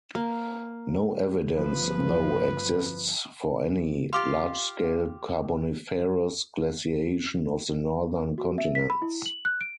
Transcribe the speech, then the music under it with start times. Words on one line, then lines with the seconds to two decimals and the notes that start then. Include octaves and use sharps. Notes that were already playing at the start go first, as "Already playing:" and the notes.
No evidence, though, exists for any large-scale Carboniferous glaciation of the northern continents.
0.15 A#3
1.56 G1 F3 B4
4.13 F4 G4 F5 C6 D6
8.38 F#4
8.58 E5
8.75 B6
8.90 B5
9.02 E4
9.26 F#7
9.45 F#6
9.61 D7